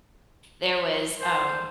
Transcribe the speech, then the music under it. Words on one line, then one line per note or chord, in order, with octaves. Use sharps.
there was, um,
C5